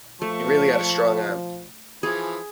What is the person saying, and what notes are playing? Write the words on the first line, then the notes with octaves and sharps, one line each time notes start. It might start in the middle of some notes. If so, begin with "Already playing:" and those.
He really had a strong arm.
F3 A3 A5 C#6
E3 F3 G#4